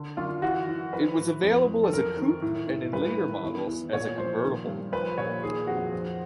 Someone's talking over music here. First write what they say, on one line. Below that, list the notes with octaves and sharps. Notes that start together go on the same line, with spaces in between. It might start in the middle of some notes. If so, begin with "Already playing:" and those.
It was available as a coupe and in later models as a convertible.
Already playing: D3
F#2 F4
E3 F#4
E3
F3 B4
A2
F2
F2
A4
F#2 A#4
D#3
A2
A2
G2 B4
D#3
E2
E2
A#2 C#5
F3 C5
D#3
G2
F3 B4
A#2 C#5
D#3 G#4
F2 F#4
F3